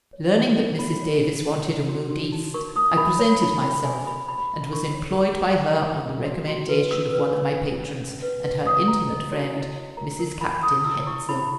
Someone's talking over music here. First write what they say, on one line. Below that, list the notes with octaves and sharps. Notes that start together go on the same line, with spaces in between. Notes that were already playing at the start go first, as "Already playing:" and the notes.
Learning that Mrs. Davis wanted a modiste, I presented myself, and was employed by her on the recommendation of one of my patrons and her intimate friend, Mrs. Captain Hetsill.
C#5
D#4
C#5
F#4 B5
C#5
D#4
D#4
C#5
F#4
F#4
D#4
A#4 C#6
D#4 D#6
A#4 B5
C#5 B5
D#4 B5
C#5 B5
D#4 G#5
A#4 B5
D#4 B5
D#4
B5
A#4 C#6
C#5
D#4 C#6
D#4
D#4
A#4
C#4
F#4
F#4
B4
C#4 E6
B4
C#4
C#4
C#4
C#4
B4
B4
C#4 D#6
F#4 A#5
C#4 D#5
F#4 C#5
E4 D#5
C#5
A#4 A#5
A#4
A#4 B5
E4 D#6
E4 E6
E4 C#6
E4 B5